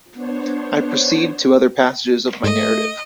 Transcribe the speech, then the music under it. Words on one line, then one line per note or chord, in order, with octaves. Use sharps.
I proceed to other passages of my narrative.
B3 D4 C5 C#5
G#2 A3 D#5